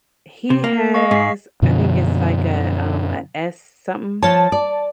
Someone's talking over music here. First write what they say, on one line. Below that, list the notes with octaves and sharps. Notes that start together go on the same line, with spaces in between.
He has, I think it's like a, um, a S something.
C3
A#3
D#5 F5 C#6
G#2 B6 C7
F#2 B2 D3 F3
F3 C#5 A5
D5